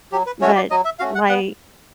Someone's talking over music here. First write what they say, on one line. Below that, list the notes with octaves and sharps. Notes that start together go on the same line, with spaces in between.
But, like,
F#3 G4
B4
A3 C#4 F#4 C#5
D5
F#3 D#5
E5
A3 C#4 F#4 F5
F#5
B3 F#5